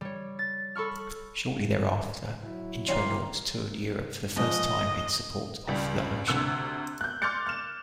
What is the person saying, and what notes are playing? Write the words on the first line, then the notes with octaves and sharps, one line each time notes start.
Shortly thereafter Intronaut toured Europe for the first time in support of The Ocean.
G3 C#5
A6
A4 B5 C#6 F6
F#3 E4
A#3 C#4 F#4 G4 D5 C6
G#2 F3 D#5
C#2 G3
D2 C3 E6 F#6 C#7
F#6 G6
C6 D6 F6 G6 A6 C#7
F6 E7